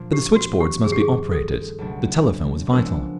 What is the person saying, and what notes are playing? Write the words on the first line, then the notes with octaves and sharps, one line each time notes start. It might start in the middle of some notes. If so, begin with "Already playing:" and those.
But the switch-boards must be operated--the telephone was vital....
Already playing: A#2 F3 A#3 D4
G4
F#4
G4
G2 D#3 G3 C4 G#4
G4
G#4
A4
C#2 B2 F#3 A3 D4
F3 G#3 B3 D4 A#4